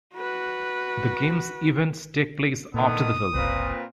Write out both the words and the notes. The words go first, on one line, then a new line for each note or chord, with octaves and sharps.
The game's events take place after the film.
F#4 B4
A#2 D3 D#3 B3 D#6
F#1 C2 A#2 C4 B4